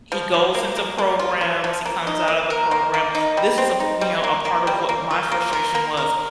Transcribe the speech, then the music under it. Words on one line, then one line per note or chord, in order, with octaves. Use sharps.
He goes into programs. He comes out of the program. This is a, you know, a part of what my frustration was.
F3
F3
A#3
A#3
A#3
F4
F3
F3
A#3
D#4
A#3
A#4
A#3
A#3
D#4
G3
C4
D#4
G3
A#3
A#3
G3
A#3
F4
A#3
A#4
A#3
A#4